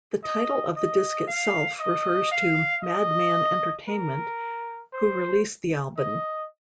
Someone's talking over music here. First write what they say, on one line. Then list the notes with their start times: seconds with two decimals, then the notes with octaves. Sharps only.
The title of the disc itself refers to Madman Entertainment, who released the Albun.
0.24 D#5
0.76 D#5
1.27 F5
1.80 D#5
2.31 F5
2.83 D#5
3.89 A#4
4.93 C5
5.97 D#5